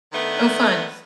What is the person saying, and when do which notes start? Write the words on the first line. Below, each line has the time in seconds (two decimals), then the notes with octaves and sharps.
Oh, fun.
0.13 D#3 A3 B3 D4 B4